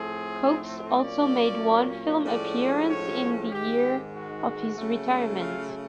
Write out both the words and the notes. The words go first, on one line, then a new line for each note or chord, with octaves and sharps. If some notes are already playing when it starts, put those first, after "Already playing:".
Cokes also made one film appearance in the year of his retirement.
Already playing: A2 F3 A3 C4 G#4
A#2 F#3 A#3 C#4 D5
A2 F3 G#3 C#4 D5
C#5
G#2 D#3 G#3 G4
F#4
C#3 F#3 A3
F4